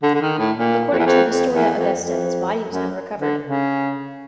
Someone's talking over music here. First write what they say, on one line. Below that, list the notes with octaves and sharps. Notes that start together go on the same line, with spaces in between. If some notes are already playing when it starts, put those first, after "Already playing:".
According to the "Historia Augusta", his body was never recovered.
D3
D3
D#3
A2
A#2
F2
E2
F2
F2
E2
F2
F2
F#2
D3
C#3